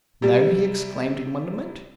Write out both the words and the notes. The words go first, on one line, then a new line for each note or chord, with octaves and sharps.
"No?" he exclaimed, in wonderment.
C3 G3